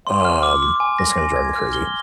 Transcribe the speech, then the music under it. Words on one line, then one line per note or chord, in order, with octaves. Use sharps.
Um, that's gonna drive me crazy.
C6
F6
D6
D6
G#5
A#6
G#5
G#6
F6
G7